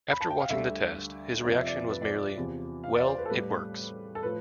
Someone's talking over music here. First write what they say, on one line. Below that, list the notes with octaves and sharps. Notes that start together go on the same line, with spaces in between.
After watching the test, his reaction was merely Well, it works.
B5
A5
G5
F5
D2 D3 G3 E5
F2 C3 F3 D5
E5
D5
B4
D5
D5
E2 C3 F3
F5
D5
C5
B4
A4
A2 G3 B4
A4
A2 F3 B4